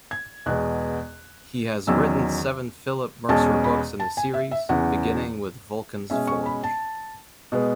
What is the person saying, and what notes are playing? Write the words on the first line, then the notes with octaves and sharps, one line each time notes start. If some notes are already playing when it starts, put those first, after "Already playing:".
He has written seven Phillip Mercer books in the series, beginning with "Vulcan's Forge".
G#6
E2 B2 G#3 B3 F#6
E2 D#3 F#3 C#4 E6
E2 B2 G#3 C#4 A5
B5
A5
G#5
E5
E5
E2 C#3 E3 F#5
B2 G#3 C#4 E5
C#6
B5
A5
B2 G#3 B3